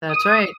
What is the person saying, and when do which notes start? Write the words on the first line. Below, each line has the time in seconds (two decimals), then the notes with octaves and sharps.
That's right.
0.09 D#6